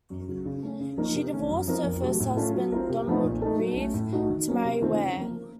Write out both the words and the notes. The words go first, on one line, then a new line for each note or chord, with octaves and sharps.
She divorced her first husband, Donald Reeve, to marry Weir.
F#2
C#3 F#3
C#3
A3 C#4
C#3
F3 A#3 D#4 A#4
C3
D#3 A3 C#4
F#2
F3 C4 D#4 A#4
F2
C3 F#3 A3
A2
A3 C#4 F4 A4
F#3
C4 F4 A#4
C3
F3 A3 C4 D#4
A#2
A3 D#4 A4
F#3
A3 C#4
A2
A3 D#4 F#4
D#3
F#3 A#3 C#4
C3
D#3 A3 C4 F4
C#3
F3 A#3